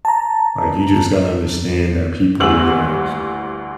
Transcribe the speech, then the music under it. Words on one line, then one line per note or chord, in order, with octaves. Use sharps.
like, you just gotta understand that people, you know,
A5 A#5
D2 G2 E3 E6 F#7